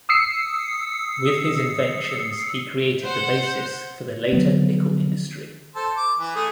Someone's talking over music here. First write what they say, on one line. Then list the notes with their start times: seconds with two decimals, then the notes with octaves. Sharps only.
With his inventions he created the basis for the later nickel industry.
0.09 D#6 E6 C7 C#7
3.03 C5 F#5 G6
4.33 D3 F3 F#3 B3
5.76 A4 C5
5.97 D6
6.19 E3
6.35 A3 G#4